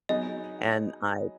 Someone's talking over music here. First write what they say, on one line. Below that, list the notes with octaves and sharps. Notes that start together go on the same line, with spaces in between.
and I
F#3 B3 D#4 G#4 D#5